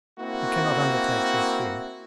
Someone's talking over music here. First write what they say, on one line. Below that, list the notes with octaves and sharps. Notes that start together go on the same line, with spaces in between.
We cannot undertake this here.
A#3 C4 E4 F#4